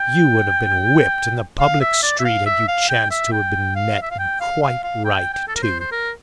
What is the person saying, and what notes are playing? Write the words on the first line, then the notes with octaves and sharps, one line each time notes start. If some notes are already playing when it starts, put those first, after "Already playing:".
You would have been whipped in the public street had you chanced to have been met, and quite right, too.
Already playing: G5
F5
E5
D5
E5
F5
E5
F5
G5
E5
G5
F5
E5
F5
G5
F5
F5
F5
G5
G5
A4
A#4
C5
C5
A#4